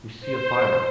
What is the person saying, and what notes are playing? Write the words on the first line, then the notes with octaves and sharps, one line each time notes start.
We see a fire.
C5